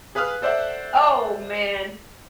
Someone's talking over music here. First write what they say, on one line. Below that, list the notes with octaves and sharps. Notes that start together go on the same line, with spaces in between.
Oh, man.
G#4 B4 F5 D#6 F6 F#6
A4 C5 D5 E5 F#5